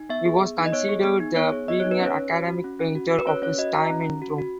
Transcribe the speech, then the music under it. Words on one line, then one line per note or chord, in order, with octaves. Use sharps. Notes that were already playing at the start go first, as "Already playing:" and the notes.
He was considered the premier academic painter of his time in Rome.
Already playing: D#4
B3 E5
G#4
B3
D#4
D#5
B3 C#5
G#4
B3
D#4
B3 C#5
G#4
B3 D#5
D#4 C#5
B4
C#4 C#5
C#4
F#4
F#4
C#4
C#4
F#4
F#4
B4
C#4 C#5
C#4 C#5
F#4 D#5
F#4 A#5
C#4
C#4
F#4
F#4